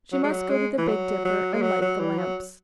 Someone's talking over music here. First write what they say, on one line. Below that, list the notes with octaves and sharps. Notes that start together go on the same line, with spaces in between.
She must go to the Big Dipper and light the lamps!
F#3
G#3
F#3
G#3
E3
F#3
F#3
G#3
F#3
F#3
E3
F#3